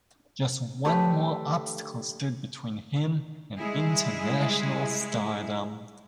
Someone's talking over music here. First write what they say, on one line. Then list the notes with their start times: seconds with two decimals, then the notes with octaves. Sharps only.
Just one more obstacle stood between him and international stardom.
0.85 D3 A3 G4 B4 C#5
3.57 G3 G#3 E4 G#4